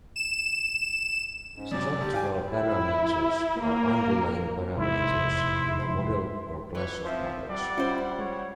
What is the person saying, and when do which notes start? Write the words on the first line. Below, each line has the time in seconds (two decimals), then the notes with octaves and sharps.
Structural parameters are underlying parameters in a model or class of models.
0.16 E7
1.56 G#2 C#4
1.71 F#2 C3 F#3 D5
2.01 D2 G2 G4
2.13 F5 G5 G#5
2.50 E4
3.60 A#3 A#4
4.77 F1 E2 G#2 E4 E5 C6
6.75 E3 B4 C#5
7.05 F3 C4 C5 E5
7.49 G3 D5 F#5
7.78 C#4 E4 F4 C5
8.19 G#3 C#5